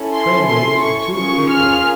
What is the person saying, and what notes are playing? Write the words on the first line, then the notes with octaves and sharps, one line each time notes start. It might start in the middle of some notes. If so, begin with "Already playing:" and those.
Train leaves at two-fifty.
Already playing: C#4 E4 A4
C6
C6
C#6
A#3 C#4 F4 G#4 C#6
F6